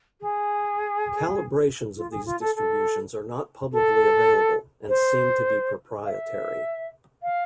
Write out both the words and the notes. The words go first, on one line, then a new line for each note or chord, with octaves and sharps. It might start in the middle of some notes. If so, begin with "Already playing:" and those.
Calibrations of these distributions are not publicly available, and seem to be proprietary.
G#4
F4
G#4
F4
A4
A4
A4
C5
F5
E5
F5